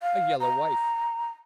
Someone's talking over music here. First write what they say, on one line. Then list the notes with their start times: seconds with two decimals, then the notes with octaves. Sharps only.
'A yellow wife!
0.02 F5
0.41 A#5